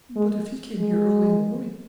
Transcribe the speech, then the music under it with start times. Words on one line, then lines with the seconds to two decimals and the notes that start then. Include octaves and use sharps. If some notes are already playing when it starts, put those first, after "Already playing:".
But if he came here early in the morning.
0.16 G#3
0.79 G#3